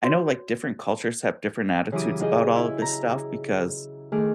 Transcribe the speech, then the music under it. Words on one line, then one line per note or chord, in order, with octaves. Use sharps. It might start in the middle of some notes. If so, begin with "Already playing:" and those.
I know, like, different cultures have different attitudes about all of this stuff because,
F#4 C#5
C#3 E3 F#3 G4 D6 D#6
F4 F#4 G#4 D#5 G5
E4
A#5
D#3 A3 G#4 D6 F6